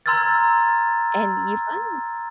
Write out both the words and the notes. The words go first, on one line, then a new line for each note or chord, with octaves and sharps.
And you find
A#5 C6 E6 F6 G#6 A6